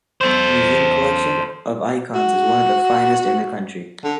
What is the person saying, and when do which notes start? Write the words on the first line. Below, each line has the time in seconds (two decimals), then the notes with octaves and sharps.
Museum collection of icons is one of the finest in the country.
0.21 A4 C5
2.15 F#4
4.04 D3